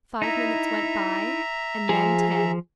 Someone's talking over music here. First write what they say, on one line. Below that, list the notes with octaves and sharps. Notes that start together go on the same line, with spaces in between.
Five minutes went by and then ten.
D#4 E4 E5 A#5
F3 G#4